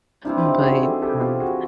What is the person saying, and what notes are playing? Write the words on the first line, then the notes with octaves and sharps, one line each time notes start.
but, um,
C3 E3 G3 C4 D4 E4
E4
D#4 F4
G4
F#4 G#4
G4 A4
G4 A4
F4 G4
F#4 G#4